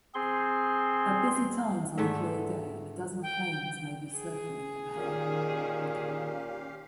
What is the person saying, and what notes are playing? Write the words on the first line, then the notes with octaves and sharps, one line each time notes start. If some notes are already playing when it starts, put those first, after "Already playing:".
At busy times on a clear day a dozen planes may be circling overhead.
C4 G#4 C6
G#2 D3 A3 E5
G5
G#4
A#2 D#3 C#4 G4 F5